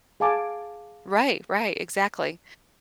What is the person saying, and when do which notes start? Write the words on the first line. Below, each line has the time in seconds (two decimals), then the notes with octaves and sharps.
Right, right, exactly.
0.20 G#4 F5 G#5 A5 D6